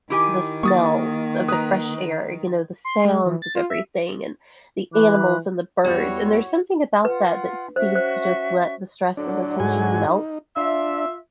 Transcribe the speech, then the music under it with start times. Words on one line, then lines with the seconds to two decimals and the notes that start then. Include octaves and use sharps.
the smell of the fresh air, you know, the sounds of everything, and the animals and the birds. And there's something about that that seems to just let the stress and the tension melt
0.10 D#3 E4 G4 G#5
0.63 A#3 C#6 D#6 A6
1.48 B4 A#5 D#6
2.85 C6
3.05 G#3
3.25 E3
3.42 A6
3.55 F4
3.70 E5
4.93 E3 B5 D6 F#6
5.84 E2 E3 G3 F#4 C#5
7.05 F4 B4 F#5
7.76 C#4 F#4 C5 E5
7.96 C5
9.17 A2 D3 F#3 D4
9.60 G#2 F#4 G#5
10.08 D#4
10.57 D4 F4 E5